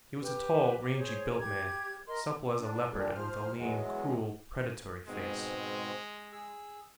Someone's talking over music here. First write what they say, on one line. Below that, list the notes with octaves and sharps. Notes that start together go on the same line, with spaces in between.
He was a tall, rangy-built man, supple as a leopard and with a lean, cruel, predatory face.
G4 B4
D6
G#4 C5 C#5
G4 G#6
A#4 D#5 C6
D4
A#2 D3 G3 D4
F3 C5 F6
E2 F#3 G#3
G#2 B2 G#3 C4
G#4 E6